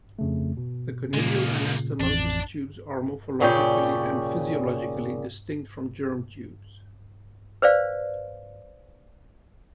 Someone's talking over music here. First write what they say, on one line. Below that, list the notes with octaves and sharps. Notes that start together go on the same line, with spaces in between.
The conidial anastomosis tubes are morphologically and physiologically distinct from germ tubes.
F2 C#3 A3
B2
A#2 C#3 G#3 A#3
A1 F2 D4
D#2 A#2 C#3 C#4 D5 G5
B4 C5 D5 F5